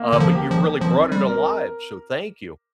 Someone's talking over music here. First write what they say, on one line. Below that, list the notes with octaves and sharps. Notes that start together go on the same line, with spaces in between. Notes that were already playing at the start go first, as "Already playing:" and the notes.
uh, but you really brought it alive, so thank you.
Already playing: A#3
D3
F3
G4
F3
F3 C4
G3
A#4